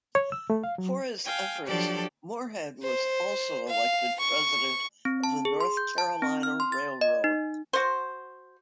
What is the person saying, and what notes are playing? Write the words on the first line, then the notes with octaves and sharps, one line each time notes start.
For his efforts, Morehead was also elected president of the North Carolina Railroad.
C#5
E6
A3
F5
F#3
F5 G5 G#5
F3 F#3 D4 G4 A4 D5
C5
F5
C#6
C4
A5
G#4
C6
G6
A5
C4
F6
C6
A6
D#5
D#4
F#4 C5